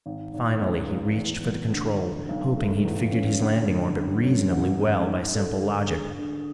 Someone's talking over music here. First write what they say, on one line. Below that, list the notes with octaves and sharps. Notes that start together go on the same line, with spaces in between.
Finally he reached for the control, hoping he'd figured his landing orbit reasonably well by simple logic.
G#1
G#1
C#2
G#3
E2
E2
D3
D3
B1
A3
E2
C#4
D3
D3
F#2
C#4
A1
G#3
G#2
A4
D3
G#4
D3